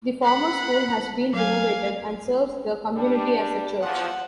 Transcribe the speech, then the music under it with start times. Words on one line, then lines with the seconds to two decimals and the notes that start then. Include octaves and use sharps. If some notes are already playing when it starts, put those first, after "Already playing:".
The former school has been renovated and serves the community as a church.
0.22 F#5 B5
1.33 F#3 F5 G#5
2.95 G3 D4
3.81 E2 F3 F#5